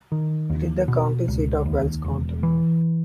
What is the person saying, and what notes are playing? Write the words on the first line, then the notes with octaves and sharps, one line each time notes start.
It is the county seat of Wells County.
D#3
D#2
B2
C#2
D#2
E1
E3